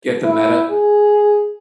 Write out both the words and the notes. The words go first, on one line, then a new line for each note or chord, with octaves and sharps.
Get the Meta.
E4
G#4